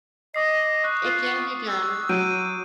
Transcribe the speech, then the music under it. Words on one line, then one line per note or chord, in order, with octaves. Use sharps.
It can be done.
D#5 D6 D#6 C7
C#6 F#6
F4
E6
F#3 G6 D7 D#7